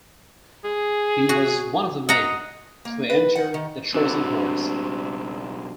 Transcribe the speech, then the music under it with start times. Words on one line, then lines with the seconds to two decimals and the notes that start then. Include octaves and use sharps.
He was one of the men to enter the Trojan Horse.
0.64 G#4
1.29 F#4
2.09 D#5 F#5 A#5
2.85 A#3
3.10 B4
3.35 F#5
3.54 D#3
3.94 B1 C4 D4 F#4